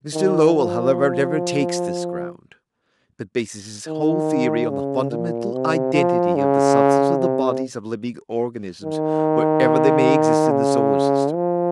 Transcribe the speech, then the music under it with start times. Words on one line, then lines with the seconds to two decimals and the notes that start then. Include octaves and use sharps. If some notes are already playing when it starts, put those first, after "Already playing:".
Mr. Lowell however never takes this ground, but bases his whole theory on the fundamental identity of the substance of the bodies of living organisms wherever they may exist in the solar system.
0.13 D#3
0.55 F3
3.87 D#3
4.70 C#3
5.11 A#2
5.53 C3
5.94 F3
6.35 C#3
7.19 C3
8.84 D#3
10.51 C#3
11.34 F3